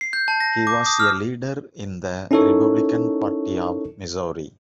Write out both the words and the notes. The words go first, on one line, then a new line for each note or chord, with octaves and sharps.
He was a leader in the Republican Party of Missouri.
C7
G6
A5
A#6
D6
D#6
F6
C#4 D#4 E4 A4 A#4 C#5